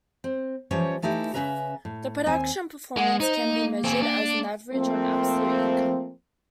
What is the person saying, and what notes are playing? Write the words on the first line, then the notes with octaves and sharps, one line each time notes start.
The production performance can be measured as an average or an absolute income.
C4
E3 F3 G3 C#4 C#5
E3 A3 D#4 E4 G4
C#3 G3 C#4 B4 E5 A#5
A2
D#2 C4 G#5
G#3 F#5
D#4 C5
A#3
C4 G#4
D4
F3 A3 A#3 C4